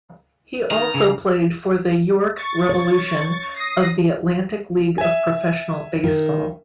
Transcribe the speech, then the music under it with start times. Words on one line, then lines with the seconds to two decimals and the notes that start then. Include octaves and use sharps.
He also played for the York Revolution of the Atlantic League of Professional Baseball.
0.71 D#3 A#5
0.94 C#3
2.37 C#6 A6
2.69 C#5
3.54 D#6 A#6 C7
4.98 E5 G#5
6.03 D#3